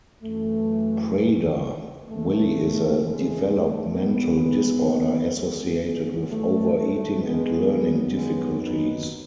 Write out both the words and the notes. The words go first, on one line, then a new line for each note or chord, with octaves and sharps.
Prader-Willi is a developmental disorder associated with over-eating and learning difficulties.
F#2 E3 A3
E2 C#3 E3 A3
G#3
A3
E2 B2 F#3 G#3 B3
G#3 B3
G#2 D#3 F#3
A3
A3
G#3 B3
F#2 D#3 F#3
G#3 B3
B3 D#4